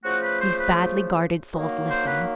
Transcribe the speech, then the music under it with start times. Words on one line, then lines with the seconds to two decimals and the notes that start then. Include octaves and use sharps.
These badly guarded souls listen.
0.04 C#3 F3 A3 F#4
0.22 B4
0.41 C5
0.59 B4
1.52 D#3 F#3 A#3
1.89 C5
2.07 B4